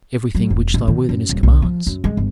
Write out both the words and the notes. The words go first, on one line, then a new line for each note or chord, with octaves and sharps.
"Everything which thy worthiness commands."
F#3
E1
A1
D#3
F#2
D#1
B1
F3
F#2
G#3
G1